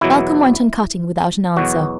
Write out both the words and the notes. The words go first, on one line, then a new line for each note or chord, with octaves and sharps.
Malcolm went on cutting, without an answer.
E2 B2 F#3 E4
E2 B2 F#3 F#4